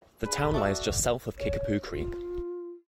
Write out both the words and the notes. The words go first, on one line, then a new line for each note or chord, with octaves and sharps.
The town lies just south of Kickapoo Creek.
D4 G#4 B4
A3 F#4 D5 E5
C#5
F4